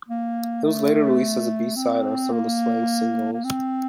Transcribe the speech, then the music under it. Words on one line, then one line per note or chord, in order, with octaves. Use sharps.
It was later released as a B-side on some of the "Slang" singles.
A#3
A3
C4
A#3
A#3
C4